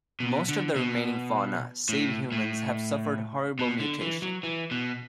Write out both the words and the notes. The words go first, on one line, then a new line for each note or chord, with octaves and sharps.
Most of the remaining fauna, save humans, have suffered horrible mutation.
B2
D3
B2
A2
A2
B2
D3
E3
F#3
E3
B2